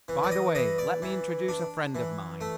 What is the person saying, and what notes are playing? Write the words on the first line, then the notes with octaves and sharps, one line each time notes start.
By the way, let me introduce a friend of mine.
E3
D5
D#5
E3 D#5
D5
E3
D4
E3
A3